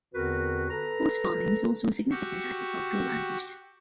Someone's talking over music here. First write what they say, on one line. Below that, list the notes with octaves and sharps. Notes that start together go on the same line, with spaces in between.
Horse farming is also a significant agricultural land use.
E2 D3 C4 F#4 A#4 B4
A4 B4 A#5
F#4 G4 C#6 E6